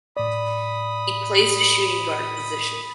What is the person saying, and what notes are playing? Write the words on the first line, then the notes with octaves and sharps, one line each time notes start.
He plays the shooting guard position.
A2 D5 B5 D#6